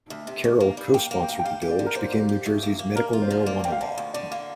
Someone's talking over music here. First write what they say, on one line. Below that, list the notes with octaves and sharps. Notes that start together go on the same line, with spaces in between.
Carroll co-sponsored the bill which became New Jersey's medical marijuana law.
D2
C3
D2
A#3
G3
A#3 G5
A#3
G5
D2
G5
G4 F5
G4
D5
D3
A#4
A#3 C5
G4
G4
D2
A#3
A#3
A#3 A#4
F4
C5
D3
A#3 D5
D3 G5
F5
D3
D2
D3 D5
A#3 F5